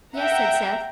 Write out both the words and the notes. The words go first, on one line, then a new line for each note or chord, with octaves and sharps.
"Yes," said Seth.
E5 F#5 G5 A#5